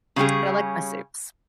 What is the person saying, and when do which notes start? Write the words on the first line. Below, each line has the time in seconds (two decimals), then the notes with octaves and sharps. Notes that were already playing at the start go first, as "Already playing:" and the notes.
but I like my soups.
0.16 C#3 G3 C#4 G#4